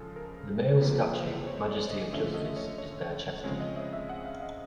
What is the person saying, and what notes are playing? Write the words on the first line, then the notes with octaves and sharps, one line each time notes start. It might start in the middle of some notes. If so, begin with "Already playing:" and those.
The male statue, "Majesty of Justice," is bare-chested.
Already playing: C#3 F3 G#3 A4
A#4
C3 F3 A#3 B4
C5
C#5
D5
D#5
D3 F3 A3 C#4 E5
D#5
C#5
C#5
C#3 F3 G#3 C4 C#5
D#5
E5
E5
F#5
F5
D#5